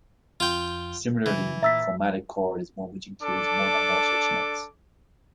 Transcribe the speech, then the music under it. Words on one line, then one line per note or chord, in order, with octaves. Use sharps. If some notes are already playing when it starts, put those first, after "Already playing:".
Similarly, a chromatic chord is one which includes one or more such notes.
F2 F4 G5
C#3 E3
A#2 E5 A#5 E6 A6 B6
D4 A4 D6